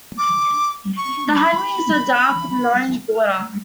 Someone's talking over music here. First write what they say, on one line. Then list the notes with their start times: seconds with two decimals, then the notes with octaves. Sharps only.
The hindwings are dark with an orange border.
0.18 D6
0.97 C#6
1.36 B5